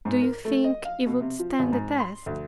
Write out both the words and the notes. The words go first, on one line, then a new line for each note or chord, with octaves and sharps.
"Do you think he would stand the test?"
G#2
A#4
A3
D#5
F5
B2
C3
F3
G#1
G#2
C6
D2